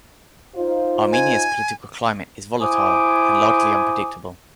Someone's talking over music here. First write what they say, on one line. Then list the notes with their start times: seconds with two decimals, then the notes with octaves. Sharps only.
Armenia's political climate is volatile and largely unpredictable.
0.55 D#4 F4 C5
1.12 G#5
2.61 E4 C5 G#5 D6 D#6